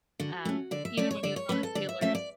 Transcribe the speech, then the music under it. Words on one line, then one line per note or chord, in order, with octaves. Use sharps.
um, even when he was on the Steelers,
D3 F#4
A3 C#4
D3 D5
E5
A3 C#4 D5
C#5
D3 D5
C#5
A3 C#4 B4
A4
D3 D5
E5
A3 C#4 E5
D5